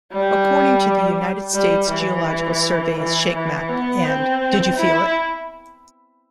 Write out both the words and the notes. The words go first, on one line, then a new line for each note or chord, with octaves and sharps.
According to the United States Geological Survey's ShakeMap and Did You Feel It?
G3
G3
E3
E3
E3
B3
C4
E4